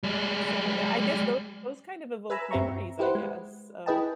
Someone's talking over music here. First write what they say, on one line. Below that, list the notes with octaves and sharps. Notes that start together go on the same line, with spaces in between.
So, yeah, I guess those those kind of evoke memories I guess of
G3 G#3
B4 E5 G#5 A#5 B5 E6
G2 C4 G4 E5 A#5 C#6
E4 G4 B4 C5 F#5
G#3
E4 G#4 B4 D#5 G5 A5